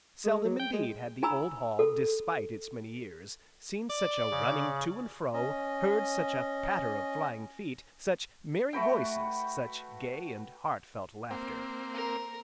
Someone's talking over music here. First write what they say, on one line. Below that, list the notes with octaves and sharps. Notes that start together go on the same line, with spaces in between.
Seldom indeed had the old hall despite its many years, seen such a running to and fro, heard such a patter of flying feet, such merry voices, such gay, and heart-felt laughter.
G#3
F#3
G5
G#3
D#4 G#5 A#5 B5 E6
A4
D5
C#3
C#4 D#5
A3 F#4 B4 G5
A#3 C4
A#4